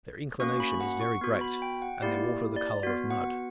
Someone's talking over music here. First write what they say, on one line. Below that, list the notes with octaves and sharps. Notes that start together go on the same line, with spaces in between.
Their inclination is very great, and their water the colour of mud.
A#3 C#4 F#4 C#6
B5
F#5
C#6
B3 F#4
B5
G5
F#5
A#3 E4 G4 D5
D5
B3 F#4
F#5